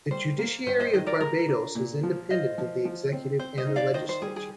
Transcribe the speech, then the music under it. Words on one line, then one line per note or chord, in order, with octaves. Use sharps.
The judiciary of Barbados is independent of the executive and the legislature.
G3 C5
A#3
G2 C5
C5 D#5
D#3 C5 D#5
A#4 D5
G#3 A#4
D4
A#2
F3
F4 C5 D#5
F3
F3
C4
C4 C5
C5 D#5
D#4
D5 F5
D#3 C5 D#5
C5
G3 G#4
G#4